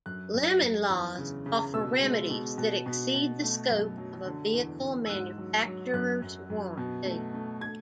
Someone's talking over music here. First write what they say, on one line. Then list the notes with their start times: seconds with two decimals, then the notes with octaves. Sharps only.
Lemon laws offer remedies that exceed the scope of a vehicle manufacturer's warranty.
0.06 F#2 F#6
0.34 F#2
0.62 F#2
0.90 E2
1.18 C#3
1.46 C#3
1.74 B2 E6
2.01 G#3
2.30 B2
2.58 B2
2.86 B2
3.14 B2
3.42 A3
3.70 F#2
3.97 F#3
4.25 D3
4.53 E2
4.82 E2
5.06 E6
5.10 G#2 F#6
5.38 F#3
5.66 F#3
5.93 F#2 F#6
6.22 F#2
6.50 F#2
6.77 B2
7.05 A3
7.34 A3
7.61 G#6